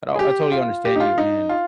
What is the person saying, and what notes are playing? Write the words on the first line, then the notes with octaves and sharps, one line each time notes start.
Oh, I totally understand you, and
G#4
G4
F4
G4
D#4
F4
D#4
F4